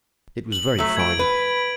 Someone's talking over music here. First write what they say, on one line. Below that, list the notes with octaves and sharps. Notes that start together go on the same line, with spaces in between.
It was very fine!
F#7
F#3 A3
G#6 D7
B4